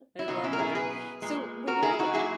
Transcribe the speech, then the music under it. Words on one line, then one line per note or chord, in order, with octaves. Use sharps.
I love that. So when you're, like,
E4
B2 F#3 B3 D#4
C#4 E4
A#4
E4 G#4
G#4 B4
A#2 G#3
F#4 A#4
E4 G#4
G#4
D#4 F#4
A#2 F#3 E4 G#4